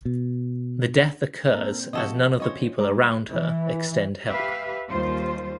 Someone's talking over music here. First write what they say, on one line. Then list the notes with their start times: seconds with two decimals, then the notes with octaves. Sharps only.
The death occurs as none of the people around her extend help.
0.05 B2
1.54 A#2 C4 A4 A#4
1.93 C3 F3 F#4 A4 D#5
2.40 C#4 F#4 C5 C#5 D#5
2.78 B2 G3 G#3 A#5 D6
3.30 E3
4.28 G4 B4 E5 F5
4.89 D#2 G3 F4 C5